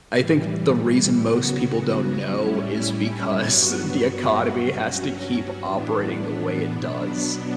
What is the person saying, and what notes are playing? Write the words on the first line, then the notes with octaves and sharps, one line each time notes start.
I think the reason most people don't know is because the economy has to keep operating the way it does,
A2 E3 G3
C#3 F#3 B3 F#4
A2 G3 C#4 E4
G2 F#3 B3 F#4
G2 F#3 C#4 F#4
A2 E3 B3 D4
B2 F#3 B3 D4